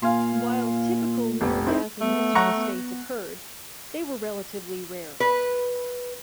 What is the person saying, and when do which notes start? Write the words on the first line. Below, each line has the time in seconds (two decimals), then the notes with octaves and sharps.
While 'typical' near-death and mystical states occurred, they were relatively rare.
0.02 A#2 F5 G#5 C6
1.41 F1 A#1
1.66 C4 D#4 E4
2.01 A3 B3
2.35 F#3 F#5 A#5 C#6
2.55 B3
5.20 B4